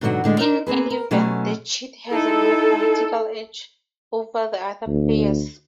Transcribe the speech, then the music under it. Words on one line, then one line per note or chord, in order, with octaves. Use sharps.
In any event, the cheat has a mathematical edge over the other players.
G#2 B2 D3 E3 F#3 F#4
A2 D3 G#3
D#4 A#4 C5
A#3 C4 G#4 B4
A#4
B2 F#3 A3 C#4 G#5
D#4 E4 A4
D2